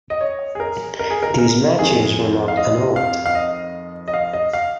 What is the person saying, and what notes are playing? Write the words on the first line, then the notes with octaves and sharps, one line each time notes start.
These matches were not annulled.
D#5
C#5
G#4
A#4
A#4
G#4
A#4
A#4
F2 D#3 G#4
F5
D#5
F5
F5
D#5
D#5
F5
D#5
F5